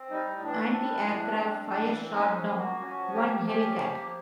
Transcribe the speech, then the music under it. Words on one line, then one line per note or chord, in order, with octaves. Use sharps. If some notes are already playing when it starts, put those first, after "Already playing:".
Antiaircraft fire shot down one Hellcat.
Already playing: C4
G3 D#4
A2
E3 D4
C4
G3
A2
E3
C4
G3
A2
E3
C4
C#4 D#4
F3
A#3
F#4
F3
C#4 F#4
F3
A#3 G4
F3
C#4 G4
F3
A#3
F3